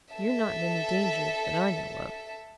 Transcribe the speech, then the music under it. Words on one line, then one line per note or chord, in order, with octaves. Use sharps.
"You're not in any danger that I know of."
A4 E5